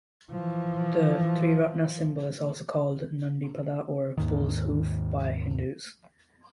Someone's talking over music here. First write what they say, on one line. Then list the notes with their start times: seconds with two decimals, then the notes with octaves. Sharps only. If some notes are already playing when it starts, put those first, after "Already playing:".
The triratna symbol is also called "nandipada", or "bull's hoof", by Hindus.
0.31 E3 F3
4.17 D#2 G#2 D#3